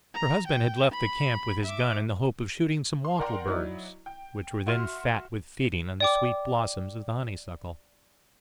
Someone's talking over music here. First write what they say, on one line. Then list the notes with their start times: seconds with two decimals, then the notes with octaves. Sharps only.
Her husband had left the camp with his gun in the hope of shooting some wattle birds, which were then fat with feeding on the sweet blossoms of the honeysuckle.
0.14 A#5
0.47 G5
0.92 B5
1.65 E5 D6
3.05 C6
3.19 A#4 D5 F#5 G5 A#5 C6
3.48 F#3 D#4 E4 D5
4.06 G5
4.67 F#4 E5 C6 F6
6.00 D5 G5 D6